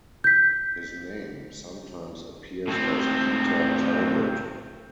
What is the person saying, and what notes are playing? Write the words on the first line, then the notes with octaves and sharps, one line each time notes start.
His name sometimes appears as Peter Talbot.
G6 B6
A2 C4